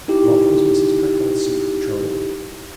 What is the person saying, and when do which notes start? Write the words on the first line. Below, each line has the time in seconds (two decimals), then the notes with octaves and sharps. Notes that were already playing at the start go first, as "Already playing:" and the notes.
What was Mrs. Packard's secret trouble?
0.08 D#4 E4 G4